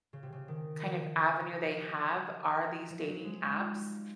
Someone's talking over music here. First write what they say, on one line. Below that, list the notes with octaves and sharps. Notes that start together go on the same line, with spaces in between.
kind of avenue they have are these dating apps,
C#3
C3
C#3
D#3
F3
F3
F#3
G#3
D#4
F4